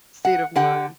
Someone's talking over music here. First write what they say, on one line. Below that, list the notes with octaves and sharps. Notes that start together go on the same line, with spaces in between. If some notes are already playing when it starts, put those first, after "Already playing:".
state of mind.
F#5
D3 G4 F#5